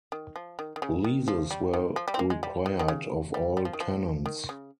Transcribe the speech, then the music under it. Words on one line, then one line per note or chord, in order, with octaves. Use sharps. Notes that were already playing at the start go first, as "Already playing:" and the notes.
Leases were required of all tenants.
D#3
F3
D#3
D#3
C#3
D#3
F3
G3
D#3
F3
G3
C4
A#3
G#3
G3
D#3
D#3
C#3
G3
G3
F3
D#3
F3
D#3
C#3